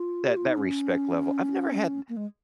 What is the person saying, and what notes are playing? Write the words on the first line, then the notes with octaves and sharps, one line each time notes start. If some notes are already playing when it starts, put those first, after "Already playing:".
That that respect level, I've never had
Already playing: F4
G4
F4
D#4
C#4
A#3
G#3